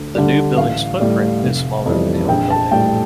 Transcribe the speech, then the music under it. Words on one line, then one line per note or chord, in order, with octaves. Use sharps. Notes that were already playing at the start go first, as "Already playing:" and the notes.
The new building's footprint is smaller than the old building.
Already playing: D2
D3 G3
A1 F5
A2 G3
F1
F2 E3 G3
A#1 G5
A5
A2 G3 G5